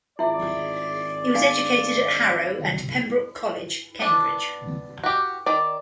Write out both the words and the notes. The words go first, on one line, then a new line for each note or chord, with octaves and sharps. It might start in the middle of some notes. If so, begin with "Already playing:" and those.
He was educated at Harrow and Pembroke College, Cambridge.
G#1 E4 F4 G#4 D5 E5
D4 F5 G#5
B3 D4
F#4 G4
D#3 D5